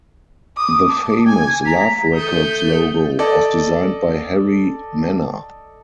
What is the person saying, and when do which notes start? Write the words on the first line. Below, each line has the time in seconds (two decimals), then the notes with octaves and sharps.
The famous Love Records logo was designed by Harri Manner.
0.56 D6 D#6
0.89 A5
1.26 G#5 G#6
1.65 A#5 B6
2.15 A3 D#6 G6
3.19 A4 D5 D#5